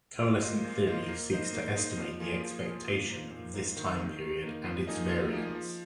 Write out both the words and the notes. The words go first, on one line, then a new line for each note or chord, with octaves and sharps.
Coalescent theory seeks to estimate the expectation of this time period and its variance.
A#2
A#3 F4 C5 D#5
A#2
A#3 F4 C5 D#5
A#3
D#4 C5 D#5
A#3
D#4 C5 D#5
F3
A#3 F4 G#4
F3
A#3 F4 G#4
A#2
A#3 D#4 C5
A#2
A#3 D#4 C5
D#3
A#3 D#4
D#3
A#3 D#4
F3
A#3 D#4 G#4 D#5
F3
A#3 D#4 G#4 D#5
F3